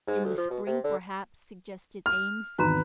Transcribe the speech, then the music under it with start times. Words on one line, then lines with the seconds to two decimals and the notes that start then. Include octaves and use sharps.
"In the spring, perhaps," suggested Eames.
0.08 G#2
0.25 D2
0.38 F3
0.51 B2
0.67 C3
0.85 D3
2.06 F6
2.59 G#1 E2 D#4 F#4 B4 A#5